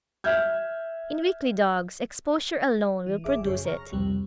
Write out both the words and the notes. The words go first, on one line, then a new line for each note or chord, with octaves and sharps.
In weakly dogs exposure alone will produce it.
E5 F6 G6 G#6
E3
G#1 G#4 E5 D6
F#2 C#3 G#4 C#5
A#5 C#6 F6 A#6
C2 F2 G3 C4